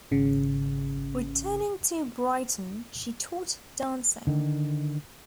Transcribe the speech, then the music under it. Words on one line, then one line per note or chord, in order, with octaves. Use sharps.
Returning to Brighton, she taught dancing.
G#1 C#3
D3 D#3